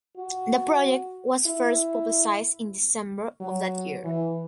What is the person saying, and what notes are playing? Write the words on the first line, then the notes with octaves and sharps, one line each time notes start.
The project was first publicized in December of that year.
F#4
E4
F#3
E3